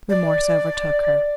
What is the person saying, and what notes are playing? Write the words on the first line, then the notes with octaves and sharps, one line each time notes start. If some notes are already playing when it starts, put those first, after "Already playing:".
Remorse overtook her.
D5